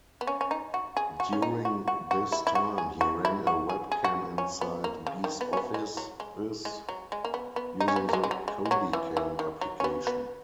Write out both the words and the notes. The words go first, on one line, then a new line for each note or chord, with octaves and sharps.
During this time, he ran a webcam inside Be's offices using the CodyCam application.
B3
C#4
C#4
D#4
F#4
G#4
F#4
C#4
D#4
F#4
F#4
F#4
E4
E4
F#4
G#4
F#4
E4
F#4
G#4
G#4
F#4
C#4
B3
A#3
C#3
D#3
B3
C#4
B3
G#3
F#3
G#3
G#3
F#3
G#3
A#3
B3
B3
D#4
C#4
B3
A#3
G#3
G#3
F#3
G#3
G#3
F#3
E3
E3
D#3
F#3
C#4
B3
B3